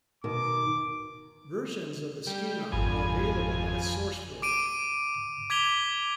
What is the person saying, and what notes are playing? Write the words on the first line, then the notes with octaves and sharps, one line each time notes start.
Versions of the schema are available at Sourceforge.
B2 D#3 D6
G3
G#1 F2 G#5 B5 D#7
D6 D7 D#7
D6 G#6 B6 F7 G7